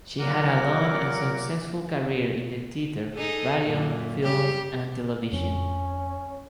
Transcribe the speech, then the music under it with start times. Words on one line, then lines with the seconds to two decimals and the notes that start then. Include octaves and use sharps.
She had a long and successful career in the theatre, radio, film and television.
0.19 A#2 F#3 A#3 A#4 F#5 D6
3.14 D#4 G#4 A4
3.63 F#2 A#2
4.23 G3 G4
5.32 F2 F3 C4 C#4